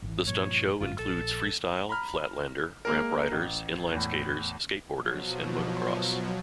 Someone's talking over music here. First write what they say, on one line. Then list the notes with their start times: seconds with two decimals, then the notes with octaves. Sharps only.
The stunt show includes freestyle, flatlander, ramp riders, inline skaters, skateboarders and Motocross.
0.02 G#1 D3 E3
0.27 G2 A#2 F3 C#5
0.81 G1 F#2 A2 F4
0.99 A#1 A4
1.89 A#5 B5 F6
2.85 G#3 A#3 A#4
3.32 A1
3.93 E2 A2
4.92 B2 F3 F#3